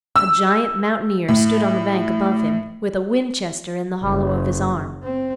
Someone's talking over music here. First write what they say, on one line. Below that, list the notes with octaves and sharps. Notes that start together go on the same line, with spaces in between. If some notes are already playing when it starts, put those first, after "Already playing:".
A giant mountaineer stood on the bank above him, with a Winchester in the hollow of his arm.
E6
A2
F#1
C4